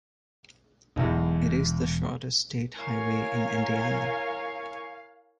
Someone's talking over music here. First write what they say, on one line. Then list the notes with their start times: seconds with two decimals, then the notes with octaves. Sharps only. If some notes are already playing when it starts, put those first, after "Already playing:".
It is the shortest state highway in Indiana.
0.96 E1 B1 E2
2.80 E4 A#4 C#5 F5 G#5